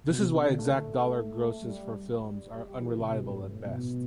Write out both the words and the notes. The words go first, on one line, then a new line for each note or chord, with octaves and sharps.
This is why exact dollar grosses for films are unreliable at best.
B2
C3
D3
D3
A3
G3
G3
E3
C3
B2
G2
A2
G2
A2
B2